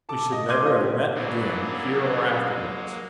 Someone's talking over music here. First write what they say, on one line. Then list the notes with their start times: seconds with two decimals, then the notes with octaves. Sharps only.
We should never have met again here or afterwards.
0.09 A4 A5 D6
0.32 D#5
0.48 C6 D6 G6 G#6 D#7
0.63 C#4 F4 D#5
0.76 F4 G4
1.15 C#3 E3 F#3 A#3 B3 D4
2.41 F#3 G#3 A#3